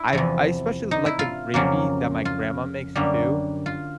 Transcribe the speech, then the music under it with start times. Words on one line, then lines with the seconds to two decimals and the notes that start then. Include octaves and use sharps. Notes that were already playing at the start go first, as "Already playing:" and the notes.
I've I especially like the gravy that my grandma makes too.
Already playing: E4
0.13 E2 C3 F3
0.91 D#4
1.06 E4
1.19 F4
1.54 F2 C#3 F#3 A#3
2.25 F4
2.95 F#2 D3 G3 A#3
3.66 F4